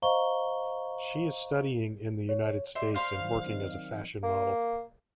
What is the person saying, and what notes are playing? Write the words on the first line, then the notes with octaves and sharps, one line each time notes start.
She is studying in the United States and working as a fashion model.
C5 D#5 F5 A#5 C#6 G7
C#5
C5 D5 E5
C5 F5 B5
D#3 F#3
C4 D#4
E3
A#3